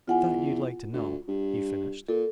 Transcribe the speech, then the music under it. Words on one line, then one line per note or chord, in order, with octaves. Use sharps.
"Thought you'd like to know," he finished.
E2 F4 F#5 G#5
D2
G2
A#2 A4